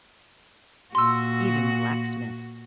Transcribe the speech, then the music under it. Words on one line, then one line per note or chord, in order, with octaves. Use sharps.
"Even blacksmiths!"
A#2 F#4 C6 E6